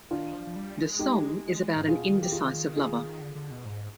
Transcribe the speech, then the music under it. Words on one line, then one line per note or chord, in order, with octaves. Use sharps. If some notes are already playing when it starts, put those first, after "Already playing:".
The song is about an indecisive lover.
D#3 D4 F4
F3
F3
G3
G#3
D#4 G4
G#2
B2 F4 G#4
D#3
G4
F4 G#4
F4 G#4
D3
D3
B2
G#2